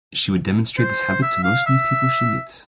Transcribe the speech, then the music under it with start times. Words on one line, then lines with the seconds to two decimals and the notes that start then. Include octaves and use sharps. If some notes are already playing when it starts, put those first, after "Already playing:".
She would demonstrate this habit to most new people she meets.
0.78 C5
1.22 E5
1.44 F5
1.66 E5